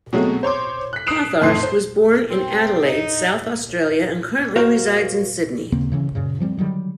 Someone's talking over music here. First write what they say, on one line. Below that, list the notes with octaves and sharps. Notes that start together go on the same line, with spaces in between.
Pottharst was born in Adelaide, South Australia and currently resides in Sydney.
B2 F#3 G#3 A3 C4
C5 C#5 C6 D6
F#6 B6
D#6 F#6 C7 D7 E7 F7
F2 A2 D#3 C6 C7
C5
C4
D#4
F#4 A#4 C5 F5
D#2 C#3 A#3 C4
C#3 E3 A3 C#4
F#2 A#2 C#3
F3 G3 A#3 C4
D3 D#3 F#3 G3